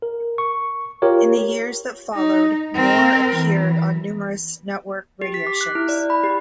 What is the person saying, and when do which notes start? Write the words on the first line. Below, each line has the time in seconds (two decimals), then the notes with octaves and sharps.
In the years that followed, Moore appeared on numerous network radio shows.
0.02 A#4
0.38 C#6
1.02 F4 G4 A#4 C#5
2.14 D#4
2.75 C4 A#4
3.36 E3
5.22 G4
5.34 B6
5.47 D6
5.61 F#6
5.75 E4
5.89 D5
6.10 B5
6.24 G4